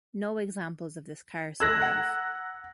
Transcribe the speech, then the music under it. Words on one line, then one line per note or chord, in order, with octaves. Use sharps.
No examples of this car survive.
A3 E6 F#6 G#6 A#6
F#5 A#5